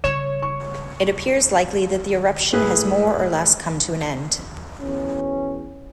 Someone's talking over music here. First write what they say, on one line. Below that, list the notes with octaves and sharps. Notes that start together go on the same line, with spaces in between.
It appears likely that the eruption has more or less come to an end.
C#3 G3 C#5 E7
C#6
A2 G#4 B4
E2 B2 C#4